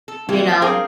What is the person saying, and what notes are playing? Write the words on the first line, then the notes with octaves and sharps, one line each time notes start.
you know?
A4
E3 A#3 C4 E4 F4
C4 D4 G#4 A#4 F5 G5